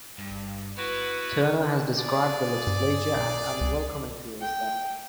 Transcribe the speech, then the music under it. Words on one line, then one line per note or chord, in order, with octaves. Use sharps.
Turner has described the legislature as unwelcoming towards them.
G2
B3 E4 F#4 B4
G#4 D5
G2
B1
C#2
G5